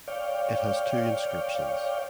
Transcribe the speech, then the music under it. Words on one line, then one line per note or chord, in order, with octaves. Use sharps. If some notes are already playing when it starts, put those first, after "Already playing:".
It has two inscriptions.
C#5 D5 F5 G5